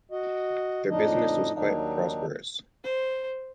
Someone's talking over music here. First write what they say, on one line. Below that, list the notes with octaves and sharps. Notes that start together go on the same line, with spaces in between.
Their business was quite prosperous.
F#4 D#5
F2 A2 D4 D#4 D#5
D#2 D#3 F#3 D4 D#4
C5